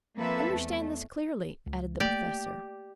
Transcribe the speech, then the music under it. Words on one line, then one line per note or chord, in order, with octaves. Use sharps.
"Understand this clearly," added the Professor.
F3 A#3 C4 A4 B4 E5
E2 A3
C#2
A3 A#3 G4 D5